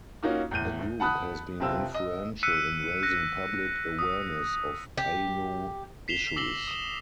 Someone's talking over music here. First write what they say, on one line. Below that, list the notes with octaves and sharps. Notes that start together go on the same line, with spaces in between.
The group has been influential in raising public awareness of Ainu issues.
A#3 C#4 D#4 F4 F#4
E2 A2 G6 D#7
F#5 A5 B5 D#6 F#6
F1 C3 C4 F4 E6
D#5
E6 F#6 B6 C#7 D#7
F#6 A#6
D#6
G4
B6 C7 E7 F7 G7
D6 E6 A#6 C7 F#7 G7
D#6 E7